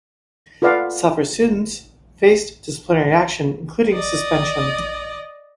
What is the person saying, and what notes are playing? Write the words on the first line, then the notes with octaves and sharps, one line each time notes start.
Several students faced disciplinary action, including suspension.
F4 A4 B4 D5 F5 F#5
D5 D#5